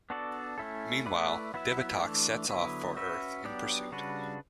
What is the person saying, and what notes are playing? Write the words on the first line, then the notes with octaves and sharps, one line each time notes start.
Meanwhile, Divatox sets off for Earth in pursuit.
B3 D4 F#4 A4 D5
A3 C#4 E4 A4
A3 E4 B4 D5
F#3 B3 E4 B4 E5
E3 A3 D4
D3 F#3 B3 E4 B4
C#4 F#4 B4 E5
F#3 B3 D4 G4 D5
C#3 G3 D4 F#4 B4